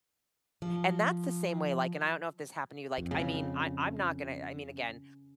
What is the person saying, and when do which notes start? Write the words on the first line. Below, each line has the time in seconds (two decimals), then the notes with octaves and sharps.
and that's the same way, like- and I don't know if this happened to you- like I mean, I 'm not gonna I mean, again,
0.62 F3
2.98 F2
3.11 C#3